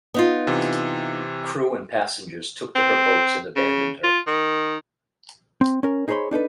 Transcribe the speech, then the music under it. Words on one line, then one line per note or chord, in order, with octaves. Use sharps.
Crew and passengers took to her boats and abandoned her.
B3 D#4 F4
C3 E3
C4
C#3
F4
D#3
C4
C#4 A#4
D#4 G#4 C5 C#5 B5 C6
D4 D#4 A4 B4